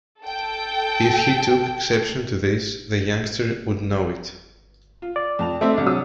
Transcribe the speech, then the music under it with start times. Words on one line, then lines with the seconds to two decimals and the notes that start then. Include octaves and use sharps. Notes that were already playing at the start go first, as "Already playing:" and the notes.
If he took exception to this, the youngster would know it.
0.22 A4 G5
5.02 F4
5.16 D5
5.39 F2 A5 F7
5.61 A3 C4 E5 A5
5.74 C2 D4
5.86 F#3 G#4 D#6 E6